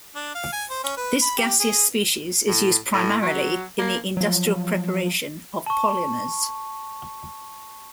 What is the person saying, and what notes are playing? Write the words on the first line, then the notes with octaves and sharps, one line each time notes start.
This gaseous species is used primarily in the industrial preparation of polymers.
D4
F5
G#5
C5
C#4
B4
B5
G4
G#4
A2
A2
F#3
A#3
F3 F#3
A5 C#6